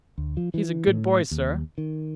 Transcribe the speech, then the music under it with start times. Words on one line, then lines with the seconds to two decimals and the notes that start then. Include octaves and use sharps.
"He's a good boy, sir."
0.18 D2
0.37 F3
0.54 E3
0.87 A2
1.31 D#2
1.78 D#3